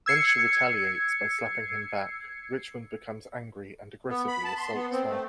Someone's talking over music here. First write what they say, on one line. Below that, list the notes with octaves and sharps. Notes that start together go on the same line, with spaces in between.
When she retaliates by slapping him back, Richmond becomes angry and aggressively assaults her.
E6 G#6 C7 C#7
B3
B5
A5
C6
B3
C4
A3